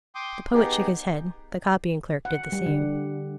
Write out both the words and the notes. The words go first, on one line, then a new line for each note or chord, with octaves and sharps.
The poet shook his head, the copying-clerk did the same.
G5 C6 D6 D#6
B3 D#4 G4 G#4
F#5
G3
D3